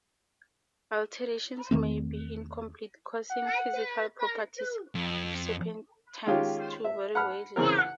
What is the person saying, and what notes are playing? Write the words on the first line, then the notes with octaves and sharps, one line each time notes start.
Alterations may be incomplete, causing physical properties of serpentines to vary widely.
E2 D#3 A3 C4
F#5
F2
D#3 G#3 C#4 F4 G4
E5
F#5 B5 F6
C#3 E3 C4 A#4
F#5